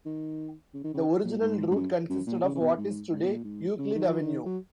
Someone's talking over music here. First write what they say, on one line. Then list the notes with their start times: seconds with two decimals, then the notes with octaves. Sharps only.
The original route consisted of what is today Euclid Avenue.
0.05 D#3
0.74 C#3
0.84 D#3
0.94 C#3
1.24 A#2
1.41 G#2
1.71 G#2
1.75 F#2
2.09 F#2
2.26 A#2
2.44 C#3
2.55 C#3
2.60 B2
2.77 G#2
3.11 G#2
3.23 B2
3.27 A#2
3.44 G#2
3.78 C#3
3.95 D#3
4.08 F3
4.21 D#3
4.46 F#3